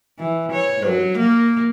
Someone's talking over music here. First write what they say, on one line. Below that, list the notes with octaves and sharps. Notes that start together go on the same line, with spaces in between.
you know, with,
E3
C#5
F#3
A#3